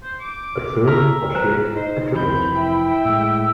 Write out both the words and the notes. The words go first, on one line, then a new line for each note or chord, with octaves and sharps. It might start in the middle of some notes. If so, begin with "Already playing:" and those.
A trill, or shake a triplet.
C5
D6
E5 A#5 F6
B4 C5 A#5
D#4 C5
F1 E3 C4 B5 G6
E4 E5 G5
A2 G#3 E6